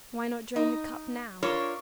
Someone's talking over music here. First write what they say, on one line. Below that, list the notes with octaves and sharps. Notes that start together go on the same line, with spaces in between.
Why not drain the Cup now?
D#4
D4 F4 A#4 C#5